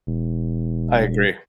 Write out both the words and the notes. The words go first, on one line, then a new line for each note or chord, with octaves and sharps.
I agree.
E1